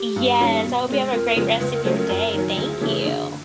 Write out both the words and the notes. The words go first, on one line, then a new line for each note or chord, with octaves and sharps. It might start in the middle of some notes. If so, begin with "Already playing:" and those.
yes, I hope you have a great rest of your day, thank you.
Already playing: G4
G2
D#3 G3 A#3 C#4
B2
G#3 C4
F2 A#4
C#3 F3 G#3
C#2 B4
A#4
C#3 F#3 A3 C#4 C5
A#4
F#2
D#3 F#3
D2 G#4
C#3 E3 A3 C#4
D3